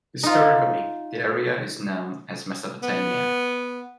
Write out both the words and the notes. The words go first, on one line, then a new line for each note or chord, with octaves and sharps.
Historically, the area is known as Mesopotamia.
D#4 F4
B3